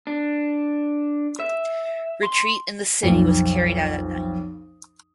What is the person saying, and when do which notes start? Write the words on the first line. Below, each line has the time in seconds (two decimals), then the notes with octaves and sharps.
Retreat in the city was carried out at night.
0.07 D4
1.40 E5
2.23 C6
3.03 B1 F2